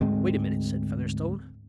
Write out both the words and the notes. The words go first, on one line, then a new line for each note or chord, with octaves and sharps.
"Wait a minute," said Featherstone.
D2 G#2 G#3 C4